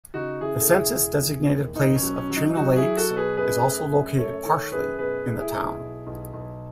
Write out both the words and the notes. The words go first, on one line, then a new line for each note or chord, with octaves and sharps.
The census-designated place of Chain O' Lakes is also located partially in the town.
C#3 D#4 F#4
C#3 E4 G#4
A4
E1 E4 G#4
E1
E1
D#2
B1 D#4
C#4
F#3
C#4
F#3
D#4
F#3 D#4 F#4
E4 G#4
F#3
F#4 A4
B2
G#4 B4
F#2 G#4 B4
A3
F#2
A3 A4 C#5
D#3 A4 C#5
F#2 G#4 B4
B2 G#4 B4
A3
E4 G#4
B1
B1
B1
B1